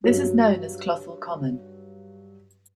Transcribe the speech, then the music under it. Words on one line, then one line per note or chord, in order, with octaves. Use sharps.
This is known as Clothall Common.
G2 F#3